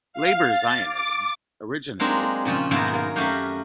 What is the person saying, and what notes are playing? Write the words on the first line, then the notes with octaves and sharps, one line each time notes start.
Labor Zionism originated in Eastern Europe.
F5
A6
D6
F#3 G#3 A#3 C4 D4 D#4
A#2 C#3 F3
G#2 B2 D#3 F#3 A#3 E5
A#3 A#4
F#2 A3 F#4 G4 F5